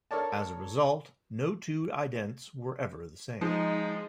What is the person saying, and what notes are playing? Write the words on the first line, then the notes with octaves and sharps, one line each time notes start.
As a result, no two idents were ever the same.
A4 A#4 C#5 D5 A5
F3 G#3 D#4